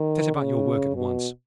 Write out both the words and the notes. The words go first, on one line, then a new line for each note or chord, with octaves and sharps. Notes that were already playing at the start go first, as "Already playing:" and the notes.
'Set about your work at once.
Already playing: D#3
C#3
B2